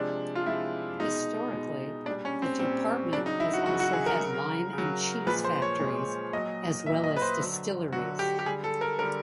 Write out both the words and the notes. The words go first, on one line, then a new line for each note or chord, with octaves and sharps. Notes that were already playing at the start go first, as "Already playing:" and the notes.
Historically, the Department has also had lime and cheese factories, as well as distilleries.
Already playing: C3 F3 G#3 D4
F4
C3 F3 G#3 E4
B2 G#3 D#4
B2 G#3
A#2 G3 D4
C#4
C4
A#2 G3 C4
C#3 F#3 D4
D#4
E4
F#4
C#3 F#3 F#4
F#4
G#4
A#4
C#3 F#3
C#3
F#3
A#2 F3 G#3 B4
C5
C#5
A#2 F3 G#3
A#2 F#3 D#5
A#2 F#3 E5
D#5
B4
C5
D3 F#3
F#3 F#4
D3
G4
G4
D3 G3 G#4
A4
A#4
D3 G3 A#4